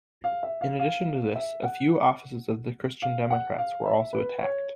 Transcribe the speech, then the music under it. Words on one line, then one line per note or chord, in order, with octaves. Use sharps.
In addition to this, a few offices of the Christian Democrats were also attacekd.
F5
E5
F5
F5
E5
F#5
F5
F#5
F5
E5
B4
C#5